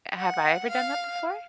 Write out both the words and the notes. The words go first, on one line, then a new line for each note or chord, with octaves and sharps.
Have I ever done that before?
F#5
F5